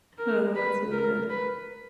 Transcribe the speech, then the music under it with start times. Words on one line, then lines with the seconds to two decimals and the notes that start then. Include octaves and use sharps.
Oh, that's really good.
0.18 A#4
0.55 B4
0.92 A#4
1.29 B4